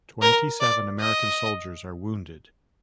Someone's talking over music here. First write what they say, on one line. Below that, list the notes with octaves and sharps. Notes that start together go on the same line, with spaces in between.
Twenty-seven American soldiers are wounded.
A#4
D5
D#5